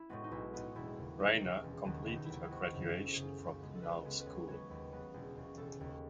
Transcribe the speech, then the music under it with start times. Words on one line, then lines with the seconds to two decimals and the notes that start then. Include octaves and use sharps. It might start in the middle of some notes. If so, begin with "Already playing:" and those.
Reiner completed her graduation from Punahou School.
Already playing: E4
0.09 A2 G#3 B3 F#4
0.24 D#4
0.31 B1 E4
0.53 A2 G#3 B3
0.75 E1 E4
0.98 D#2 C#3
1.19 E1 D#4
1.41 D#2 C#3
1.64 E1
1.85 D#2 D#3 F#3 B3
2.07 E1 E4
2.16 D#4
2.25 D#2 D#3 F#3 B3 E4
2.44 E4
2.51 G#1 F#4
2.73 F#2 C#3
2.94 G#1 G#4
3.04 A4
3.13 F#2 C#3 G#4
3.38 C#2
3.60 C#3 G#3 B3
3.75 A4
3.82 C#2 B4
4.04 C#3 G#3 B3
4.20 B4
4.26 D#2 C#5
4.48 C#3 F#3 B3 C#5
4.70 D#2 B4
4.92 C#3 F#3 B3
5.14 E1
5.35 D#2 C#3
5.57 E1 A4
5.80 D#2 C#3